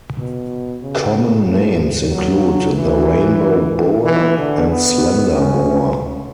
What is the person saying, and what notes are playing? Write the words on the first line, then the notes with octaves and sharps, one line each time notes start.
Common names include the rainbow boa, and slender boa.
B2
C#3
A2
F#3
E3
E3
D3
B3
C#4